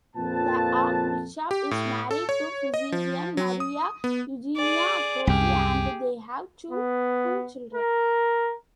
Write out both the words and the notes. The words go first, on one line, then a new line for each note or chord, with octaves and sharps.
The archbishop is married to physician Maria Eugenia Akrofi and they have two children.
F2 A#2 F3 C4 B4 A5
G4
A2
A4
C#5
D#5
F3
F#3
D#6
B3
G#4 D5
C2 F#2 G4 G#4
B3
A#4